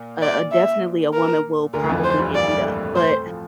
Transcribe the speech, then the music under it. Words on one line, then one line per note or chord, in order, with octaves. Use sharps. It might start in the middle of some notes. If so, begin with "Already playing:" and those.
a a definitely a woman will probably get beat up, but
Already playing: A#2 A#3
D5
E5
A#4
D2 D3 A#4
E3
F2 F3
C5
G2 G3
A#3 D5
A3
G3
A2 A3
A2 A3 C5
A2 A3
F3